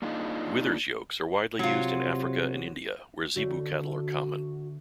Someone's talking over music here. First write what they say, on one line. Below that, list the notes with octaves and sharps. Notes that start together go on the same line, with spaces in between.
Withers yokes are widely used in Africa and India, where zebu cattle are common.
A#3 D4 D#4 F4 G#4 D#5
C3 F#3 F4
D3 A3 F#4